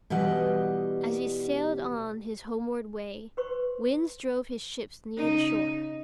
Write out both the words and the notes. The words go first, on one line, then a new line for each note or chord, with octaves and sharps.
As he sailed on his homeward way, winds drove his ships near the shore.
B2 E3 G3 D#5 F#5
B4 C5 C6 C#6
C#3 D#4